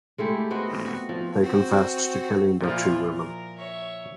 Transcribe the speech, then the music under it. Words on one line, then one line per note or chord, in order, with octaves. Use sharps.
They confessed to killing the two women.
G#3 A3 E4 G4
B3 C4 F#4 D#5
F#4
F3
C4 F#4
A#2 F3 E4 F4
A#4
C#5 E5